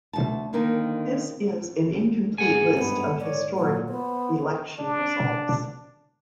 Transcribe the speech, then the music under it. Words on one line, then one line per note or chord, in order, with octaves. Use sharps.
This is an incomplete list of historic election results.
D2 A5
D3 D#3 A#3 C4
G#2 G#4 F#5 G#5
G2 B3
C#5 D5
A#2 F#3
B3 C5
D4